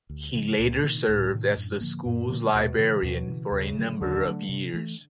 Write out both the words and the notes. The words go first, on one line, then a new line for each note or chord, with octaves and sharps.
He later served as the school's librarian for a number of years.
D2
C#3 F3 A3
C#2 A#2
C3 D#3
C#2 A2
C3 D#3
F#2
D3 F3 A#3
F#2 A#2
D3 F3 A#3
D#2 B2
C#3 E3
D#2 B2
C#3 E3
D#2 C#3
D3 F#3 A3
D#2 D3
D3 F#3 A3
C3
E3 A3